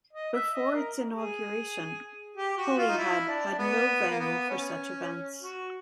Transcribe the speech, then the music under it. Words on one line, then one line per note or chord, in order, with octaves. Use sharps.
Before its inauguration, Holyhead had no venue for such events.
D#5
E5
D#5
A#4
G#4
G4
F#4
F4
D#4
E4
D4
B3
A#3
B3
C#4
F#4